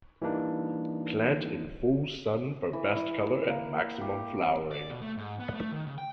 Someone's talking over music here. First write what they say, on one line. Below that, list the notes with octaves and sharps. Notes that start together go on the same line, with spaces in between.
Plant in full sun for best color and maximum flowering.
E3 G3 A#3 D4 D#4
E3
E4
A#3
G4
C4
D5
B2
A3
G#2
B3
A3
D#3
C#3
G5